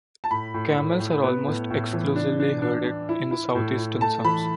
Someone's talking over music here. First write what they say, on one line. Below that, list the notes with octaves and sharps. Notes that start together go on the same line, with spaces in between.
Camels are almost exclusively herded in the southeastern sums.
A5
A2 B5
A2
A2
A2
B3
A2
A2
E3
D4
D4
D4
D4
E4
E4
A2
E4
A3 A5
E3 B5